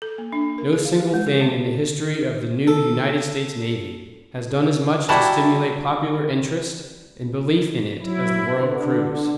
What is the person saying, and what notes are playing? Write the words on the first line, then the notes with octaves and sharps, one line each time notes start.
No single thing in the history of the new United States Navy has done as much to stimulate popular interest and belief in it as the world cruise.
A4
A#3
D4
A#4
G#4
F5
G4
G#3
G4
B3
A4
G3 E4 F#4 F#5 A5 A#5
F#3 E4
D3 B4